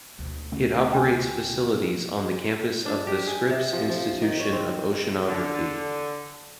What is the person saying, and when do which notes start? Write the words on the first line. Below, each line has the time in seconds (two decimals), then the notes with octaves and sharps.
It operates facilities on the campus of the Scripps Institution of Oceanography.
0.18 D2 B2
0.52 D3 A3 C#4
0.93 G5 G#5
2.86 D4
3.07 G4
3.27 G#4
3.50 C3
3.72 F3
3.89 F3
4.22 D#3
4.40 C#5
4.52 C4
5.26 D3